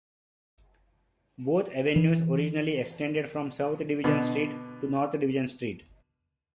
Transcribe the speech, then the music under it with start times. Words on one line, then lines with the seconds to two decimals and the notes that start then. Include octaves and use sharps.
Both avenues originally extended from South Division Street to North Division Street.
1.96 E3
4.04 B2 D3